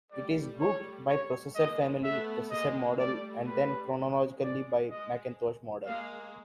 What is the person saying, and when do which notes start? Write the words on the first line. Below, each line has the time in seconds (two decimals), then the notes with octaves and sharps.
It is grouped by processor family, processor model, and then chronologically by Macintosh model.
0.12 G3 A3 D5
0.60 C#5
1.08 C#5
1.55 G#3 A#3 D#5
2.03 A3 B3 E5
2.51 G#3 A#3 D#5
2.99 G3 A3 D5
3.47 B4
3.94 G#3
4.42 G#3 D5
4.90 G#3 D#5
5.86 G#3 A#3 F5